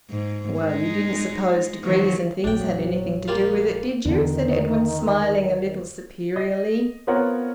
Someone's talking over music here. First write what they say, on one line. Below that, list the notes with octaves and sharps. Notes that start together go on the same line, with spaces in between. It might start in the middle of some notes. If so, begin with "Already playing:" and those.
"Well, you didn't suppose degrees and things had anything to do with it, did you?" said Edwin, smiling a little superiorly.
G#2
G#3 D#4
D#3 F3 F#3
A#1 F2 F#3 D4 G5
G3 A#3 F4
E2 D3 D#3
D#5
B3 C4 F4 A#4 C#5 F#5